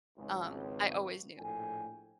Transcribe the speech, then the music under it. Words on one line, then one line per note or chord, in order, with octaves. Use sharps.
um, I always knew,
G#1 C#2
A#1 A2 A4 G5 G#5